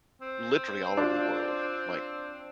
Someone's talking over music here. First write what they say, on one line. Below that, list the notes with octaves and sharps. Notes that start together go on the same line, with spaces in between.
literally all over the world, like
C4
D4 F4